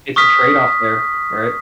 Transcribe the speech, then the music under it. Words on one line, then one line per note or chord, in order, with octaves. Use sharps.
it's a trade-off there, right?
C#6 D#6 F6 B6